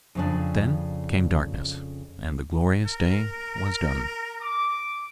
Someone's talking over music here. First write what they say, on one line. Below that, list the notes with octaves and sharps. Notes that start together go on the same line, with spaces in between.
Then came darkness, and the glorious day was done.
F2 C#3 D4
A#4
D6